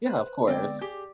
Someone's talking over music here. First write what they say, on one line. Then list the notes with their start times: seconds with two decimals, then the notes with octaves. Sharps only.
Yeah, of course.
0.06 B4 C5 F#6
0.47 D3 G#3 B3 C4 D5 G5
0.81 G4 G#4